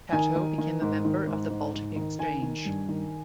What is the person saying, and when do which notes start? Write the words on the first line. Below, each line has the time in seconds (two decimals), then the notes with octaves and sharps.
Catto became a member of the Baltic Exchange.
0.12 D#3 G#5
0.36 D#3
0.58 D#3
0.82 G#2
1.05 D#3
1.27 G#2
1.50 G#2
1.74 G#2
1.96 D#3
2.19 D#3 G#5
2.42 D#3
2.65 G2
2.89 D#3